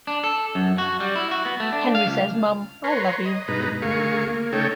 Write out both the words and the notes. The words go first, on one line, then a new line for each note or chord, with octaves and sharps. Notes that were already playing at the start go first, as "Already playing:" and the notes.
Henry says, Mom, I love you.
D4
A4
F#2
F#4
G3
E4
F#4
B3
A3
D4
F5
C#2
B4 C#5 A#5 C6
D#5
G2 B2 G#3 D#4 B4 A#5
D2 A3 G#4 A#4 F5 C#6
A#3
C#3 A3 D#4 A4 C#5 G5